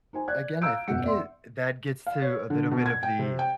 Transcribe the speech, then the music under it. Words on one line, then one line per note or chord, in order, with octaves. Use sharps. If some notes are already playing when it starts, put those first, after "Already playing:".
again, I think it that gets to a little bit of the,
D#4 C5 G#5
D5 F#6 G#6
F5 A#5 E6 G6 D7
E1 F#2 F#5 C#7
D5 E5 F#5 C6
F5
C#5
D3
B2
G#6
G5
C3
G5